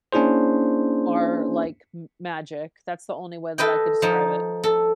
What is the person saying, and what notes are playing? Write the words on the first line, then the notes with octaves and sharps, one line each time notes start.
are like m magic; that's the only way that I could describe it.
A#3 C#4 D4 E4 G#4 C5
A4 B4 D#5 G5
F3 D#4
A4